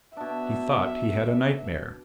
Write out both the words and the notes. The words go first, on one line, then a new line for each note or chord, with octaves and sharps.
He thought he had a nightmare.
B2 D4 E5